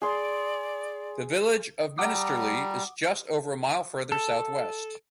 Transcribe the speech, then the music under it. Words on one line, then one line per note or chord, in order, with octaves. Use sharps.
The village of Minsterley is just over a mile further southwest.
G#4 D5 C6
G3 F#5 A5 A#5 D6 D#6
A4